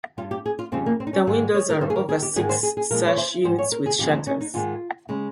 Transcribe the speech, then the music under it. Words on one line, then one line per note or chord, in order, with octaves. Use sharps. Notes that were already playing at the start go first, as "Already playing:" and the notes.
The windows are over six sash units with shutters.
G2 G3 F4
G4
G#4
F4
F2 C#3 G3 C4
A#3
C4
D#4
C#4
G#2 D#3 G#3
C#5
A#4
G2 D#3 G3 C5
G#4
A#4
G#4
G4
G#2 D#3 G#3 G#4
C5
G#4
G#4
A#2 F3 G#3 A#4
C#5
C5
G#2 G3 C5
C#5
A#4
G#4
D#2 C#3 F3 G#3 G4
C4
C#4
D#4
G#2 D#3 G#3 F4
C#3 G#3